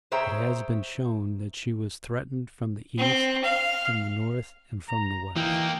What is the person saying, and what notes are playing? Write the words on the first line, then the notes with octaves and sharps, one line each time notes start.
It has been shown that she was threatened from the east, from the north, and from the west.
G#4 C5 C#5 E5 G5 A#5
C4
F5
A#5
E3 A#3 D#4 G5